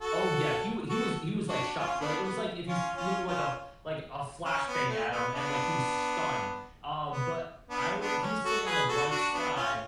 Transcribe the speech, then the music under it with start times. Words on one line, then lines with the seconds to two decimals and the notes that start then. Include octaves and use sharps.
Oh, yeah, he he was he was, like, shocked, like, it was like if you flew like a like a flash bang at him and, like, he was stunned, uh, but I re he was sitting on the right side-
0.01 F#4 A4
0.90 F#4 A4
1.49 D4 F#4
1.79 C#4 F4
1.94 C#4
2.00 B3 D4
2.23 B3
2.68 C#4 F4
2.97 C#4 F4
3.27 C#4 F4
4.45 C#4
4.68 B3
4.89 A3
5.11 B3
5.34 B3 D4
7.11 B3
7.70 B3 D4
8.00 B3 D4
8.23 C#4
8.44 F#4 A4
8.66 G#4 B4
8.89 F#4 A4
9.11 D4 F#4
9.34 B3 D4
9.55 C#4 F4